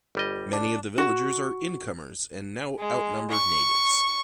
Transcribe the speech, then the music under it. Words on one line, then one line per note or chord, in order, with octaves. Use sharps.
Many of the villagers are "incomers" and now outnumber "natives".
G1 G3 D#5
D4
F#4
G#3
C#6